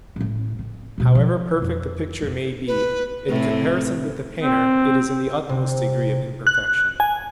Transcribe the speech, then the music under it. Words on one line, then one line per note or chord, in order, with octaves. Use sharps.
However perfect the picture may be, in comparison with the painter it is in the utmost degree of imperfection.
A1 A2
C4
D2 B2
F3
F2
F2
B4
A2 C3 C4
C4
C3
F#6
G#5